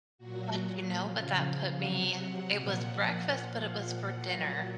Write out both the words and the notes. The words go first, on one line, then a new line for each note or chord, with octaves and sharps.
but, you know, but that put me it was breakfast, but it was for dinner.
A#2 F#3 F#4
C#3 F3 F5
C3 F#3 F#5
F#5
A#2 F3 F#5
A#2 F3 F5
F#5
A#2 F#3